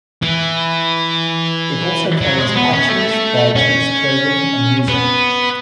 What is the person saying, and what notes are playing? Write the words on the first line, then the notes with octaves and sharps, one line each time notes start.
It also carries patches, badges, clothing and music.
E3
F#3
G#3
B3
C#4
A3
C#4
B3